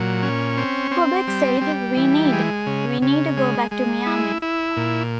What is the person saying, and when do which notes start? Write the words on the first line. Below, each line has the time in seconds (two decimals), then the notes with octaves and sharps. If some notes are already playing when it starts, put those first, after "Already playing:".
Kubeck said, We need, we need to go back to Miami.
Already playing: A#2 F#3
0.22 C#4
0.57 C4
0.91 C4
1.28 G3
1.61 G3
1.97 E3
2.32 G#3
2.66 C#3
3.02 C#3
3.37 G#3
3.71 G#3
4.06 E4
4.42 E4
4.77 A#2